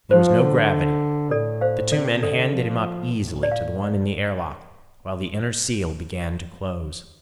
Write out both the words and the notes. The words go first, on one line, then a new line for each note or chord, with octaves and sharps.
There was no gravity; the two men handed him up easily to the one in the airlock while the inner seal began to close.
F3 C5
D3
A2 A4 D5
C5 F5
C3 A4 D5
D3 A4 D5
F3
A2
D5
F5